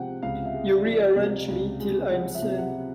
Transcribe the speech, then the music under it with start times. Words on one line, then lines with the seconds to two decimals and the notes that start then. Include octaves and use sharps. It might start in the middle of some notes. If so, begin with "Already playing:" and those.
You re-arrange me 'till I'm sane.
Already playing: C3 F3 G#3 F#5 G5
0.23 C#2 F5
0.45 E5
0.54 G#3
0.69 D5
0.85 F3
0.93 D5
1.16 C3
1.48 C#2
1.80 G#3
2.11 F3 F#5
2.35 E5
2.42 C3
2.58 F#5